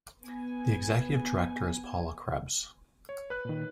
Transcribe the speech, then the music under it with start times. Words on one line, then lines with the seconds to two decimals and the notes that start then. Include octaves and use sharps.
The Executive Director is Paula Krebs.
0.23 B3 G#5
3.09 C#5
3.30 B4 F#6
3.45 A#2 D#3